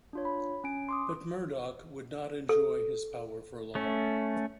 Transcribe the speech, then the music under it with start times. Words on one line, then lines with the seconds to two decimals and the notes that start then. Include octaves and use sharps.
But Murdoch would not enjoy his power for long.
0.13 D4 F4 C#5
0.25 B5
0.64 C#4 G#5 D7
0.89 C6 D6 D#6
2.49 A4
3.75 A3 C#4